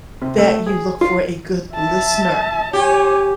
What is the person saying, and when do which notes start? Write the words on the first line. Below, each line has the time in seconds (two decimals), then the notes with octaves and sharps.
that you look for a good listener.
0.22 C3
0.38 A3
0.66 G#4
1.01 F4
1.75 E5 A5
2.73 G4 C#5 G#5